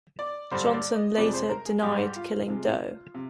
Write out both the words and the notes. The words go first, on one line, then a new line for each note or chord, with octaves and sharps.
Johnson later denied killing Doe.
D5
G2 D3 G3 C5
D5
D#5
F2 C3 F3 G#3 D5
C5
A#4
G#4
G#2 G3 G4
F4
C3 F3 G#3
C3